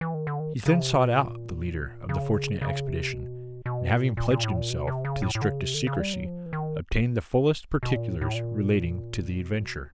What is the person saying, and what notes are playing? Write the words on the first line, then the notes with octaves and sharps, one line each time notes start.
He then sought out the leader of the fortunate expedition, and having pledged himself to the strictest secrecy, obtained the fullest particulars relating to the adventure.
E3
D#3
D3
D#3
C#3
C3
B2
A#2
C#3
C#3
C3
B2
B2
A#2
A#2
A#2
A2
A#2
B2
C3
C#3
A2
A2
D3
C#3
C3
D3
C#3
G3
F#3
F3
E3
D#3
B2
A#2
A2
A2
A#2
B2
A#2
B2